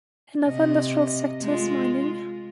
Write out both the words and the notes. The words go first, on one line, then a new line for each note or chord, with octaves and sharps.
Another industrial sector is mining.
C3 D#5
G#3 F4